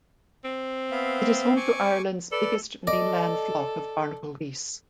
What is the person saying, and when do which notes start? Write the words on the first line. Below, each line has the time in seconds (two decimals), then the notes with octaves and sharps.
It is home to Ireland’s biggest mainland flock of barnacle geese.
0.45 C4
0.91 B3 E5 F5
1.56 G#5 C#6 D6
2.32 A4 B4 D5
2.87 A4 D5 D#5